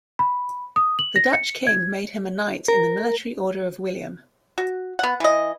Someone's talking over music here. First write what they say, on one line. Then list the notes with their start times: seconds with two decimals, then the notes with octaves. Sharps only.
The Dutch King made him a Knight in the Military Order of William.
0.19 B5
0.76 D#6
0.99 F#7
1.16 A#6
1.33 C#7
1.67 G#6
2.68 A#4
4.58 F#4
4.99 B3 F#5
5.20 E3 D#5